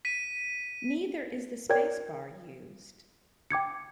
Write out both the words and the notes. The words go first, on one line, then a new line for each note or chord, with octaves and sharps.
Neither is the spacebar used.
B6 D#7
A#4 C#5 D5 G5 G#6
G5 D6 G#6 C#7